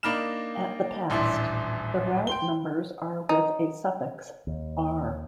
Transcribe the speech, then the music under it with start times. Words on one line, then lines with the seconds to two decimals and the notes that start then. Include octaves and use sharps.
At the past, the route numbers are with a suffix "R".
0.03 A#3 D4 D#4 B5 F6 E7
1.10 D#1 A1 D4 E4 C6
2.27 G5 C6 G7
3.29 D#4
4.47 D#2